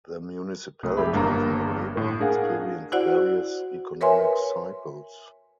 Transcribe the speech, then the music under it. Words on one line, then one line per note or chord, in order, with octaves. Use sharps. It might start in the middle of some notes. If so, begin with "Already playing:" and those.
The municipality of Maraba experienced various economic cycles.
C2 A3 D#6
F2 G4 G#4 E5 B5
G1 G2 A#3 A#5
A2
D4 G#4 A#4 F5 F#5 G#5
E4 F#4 C5 D5 F#5
A#4 B4 C#5 E5 G#5 C6